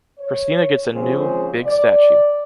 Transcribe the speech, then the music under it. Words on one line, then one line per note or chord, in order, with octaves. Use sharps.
Pristina gets a new, big statue.
C#5
D#2 C#3 F3 G#3 C4 G#4
D5